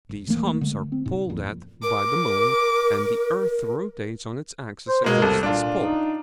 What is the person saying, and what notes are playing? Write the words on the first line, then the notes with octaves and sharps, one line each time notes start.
These humps are pulled at by the moon, and the earth rotates on its axis against this pull.
G1
D#1 E3 A3 A#3
D3 G#3 A3
C4
G#2 C3
D#1 A1 F2 A#2
A#4 D6
C5
B2 G#3 A#3
C2 A4
A#2 D4 F4
D#4